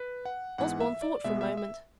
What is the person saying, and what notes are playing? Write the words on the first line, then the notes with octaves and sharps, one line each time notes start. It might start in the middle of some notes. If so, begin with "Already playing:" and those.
Osborne thought for a moment.
Already playing: B4
F#5
G#2 E3 B3 F#5
E5
D5
B2 G#3 B3 E5
E5
E5